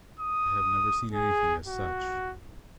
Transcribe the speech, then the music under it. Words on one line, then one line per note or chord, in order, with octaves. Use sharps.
I have never seen anything as such.
D#6
G#4
F#4